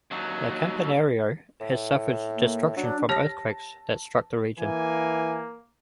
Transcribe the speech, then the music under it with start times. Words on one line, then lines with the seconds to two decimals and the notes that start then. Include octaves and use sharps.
The "Campanario "has suffered destruction from earthquakes that struck the region.
0.11 D#2 F#3
1.61 A2
2.35 A#3
2.77 F#3 D4
3.09 G4 C#5 A5 A#6
4.59 E3 A#3 G#5